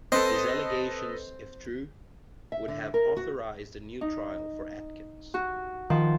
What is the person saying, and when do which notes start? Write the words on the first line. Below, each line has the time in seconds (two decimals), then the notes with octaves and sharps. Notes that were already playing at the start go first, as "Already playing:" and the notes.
These allegations, if true, would have authorized a new trial for Atkins.
0.12 C4 A4 B4 D#5
2.52 E5
2.68 D3
2.94 A#4
3.17 F#4
4.01 D#4
5.34 F#4
5.90 D#3 F3